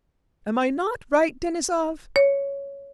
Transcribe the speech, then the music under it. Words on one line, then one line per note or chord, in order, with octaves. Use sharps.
Am I not right, Denisov?
C#5